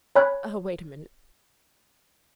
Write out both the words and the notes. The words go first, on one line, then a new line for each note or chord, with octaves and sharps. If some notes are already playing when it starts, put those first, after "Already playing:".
'Oh, wait a minute.
C#5 G#5 B5 F#6